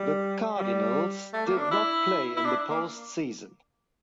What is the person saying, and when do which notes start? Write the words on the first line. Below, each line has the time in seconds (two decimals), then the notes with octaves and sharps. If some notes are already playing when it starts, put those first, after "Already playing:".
The Cardinals did not play in the post season.
Already playing: G3
0.58 G3
1.33 A3
1.46 A#3
1.58 D4
1.71 E4
2.37 E4
2.45 D4
2.70 A#3